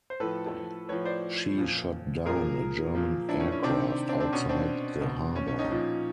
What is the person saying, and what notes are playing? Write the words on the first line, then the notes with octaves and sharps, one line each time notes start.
She shot down a German aircraft outside the harbour.
C5
A2 F3 A4 B4
A2 F3 B4 C#5
C5 D5
A#2 F3
A#2 F3 G#4 A#4
A#2 F3
D4 E4
C#4
C#4
C3 D#3 C4 D4
C4 D4
C4 D4
B2 C#4
C4 D4
B2
C#4
C#4
C#4 D#4
A#2 F3